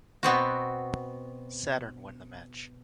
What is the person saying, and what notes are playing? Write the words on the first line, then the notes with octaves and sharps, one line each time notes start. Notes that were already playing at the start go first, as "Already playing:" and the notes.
Saturn won the match.
B2 B3 C4 F#4